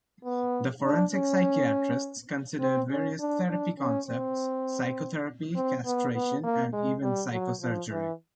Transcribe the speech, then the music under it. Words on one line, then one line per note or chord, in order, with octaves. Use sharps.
The forensic psychiatrists considered various therapy concepts: psychotherapy, castration and even psychosurgery.
B3
D4
C#4
C4
C#4
D4
D4
C#4
C4
C4
B3
B3
A#3
G#3
G3
F#3
F3
E3